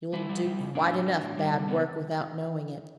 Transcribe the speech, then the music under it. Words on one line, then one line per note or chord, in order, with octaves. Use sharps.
You'll do quite enough bad work without knowing it.
G3 E4
G3
G3
C#3
A2 D4
F#3
F#3
A2
G3
C#3
C#3 B3